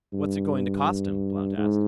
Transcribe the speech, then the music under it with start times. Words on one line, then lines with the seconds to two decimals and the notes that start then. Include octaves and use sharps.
"What's it going to cost him?" Blount asked.
0.14 G2
1.57 G#2